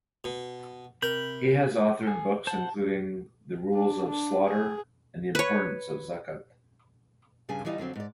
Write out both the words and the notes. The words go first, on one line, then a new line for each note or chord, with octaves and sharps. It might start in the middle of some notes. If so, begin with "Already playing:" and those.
He has authored books including "The Rules of Slaughter" and "The Importance of Zakat".
B2
C3 A#4 B5 G6
A4 G#5
C5 F#5 A5
D4
D4
G#4
B4 C#5
G2 C#3 G3 D4 G#5
E3 F3 G3 D#4 D#5
F2 D3 F#3 C4
G#2 D5